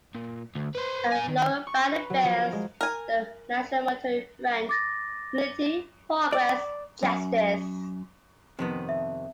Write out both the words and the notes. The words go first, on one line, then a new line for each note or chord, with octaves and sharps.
A lower banner bears the national motto in French: "Unity - Progress - Justice".
A#2
D2
B4 C5
A#2 G#5
D#3
C#6
B4
F#3
F3
A#4
G#3
A#4 G#5
D6 A6 A#6
D5
F#2
F2 C3 D#3 B3
E5